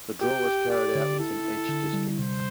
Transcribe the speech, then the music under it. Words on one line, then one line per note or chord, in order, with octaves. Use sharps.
The draw was carried out within each district.
G4 G5
G4
G4 D5
D3
E4 A4
E4
D3
G3
C3 C5